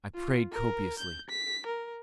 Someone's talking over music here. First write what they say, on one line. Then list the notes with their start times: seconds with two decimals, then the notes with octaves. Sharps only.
I prayed copiously.
0.15 F4
0.51 A#4
0.99 G6
1.29 B6
1.66 A#4